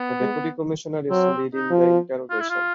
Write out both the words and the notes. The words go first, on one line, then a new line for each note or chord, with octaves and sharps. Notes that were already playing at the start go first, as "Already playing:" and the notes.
The deputy commissioner is leading the interrogation.
Already playing: B3
G#3
F#3 C4
D#4
F3
F4
E4
F4